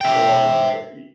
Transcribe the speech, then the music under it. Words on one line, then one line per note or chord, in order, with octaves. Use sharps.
Or y
E5 G5